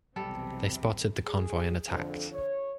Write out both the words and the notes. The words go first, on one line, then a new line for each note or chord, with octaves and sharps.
They spotted the convoy and attacked.
B1 E2 C3 G3 A4
G#4
F2 D3
C#5